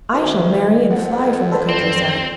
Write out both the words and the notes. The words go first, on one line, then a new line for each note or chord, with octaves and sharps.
I shall marry and fly from the country-side.
D2 D#3
F2 F#5
A4 B4 C5 D5
F#2 F3 C4